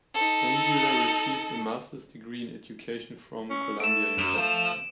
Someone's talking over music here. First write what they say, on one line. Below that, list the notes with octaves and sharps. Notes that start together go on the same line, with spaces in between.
Angula received a master's degree in education from Columbia University.
D#4 A4
C#4
A3 D7 E7
F#2
A3 C5 F5